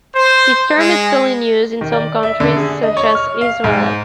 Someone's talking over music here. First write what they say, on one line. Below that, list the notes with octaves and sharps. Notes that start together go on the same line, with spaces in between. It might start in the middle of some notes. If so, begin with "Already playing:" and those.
This term is still in use in some countries, such as Israel.
C5
G#3
D#3
D5
E5
D3
G#4
D#5
C#5
F6
F5
G#2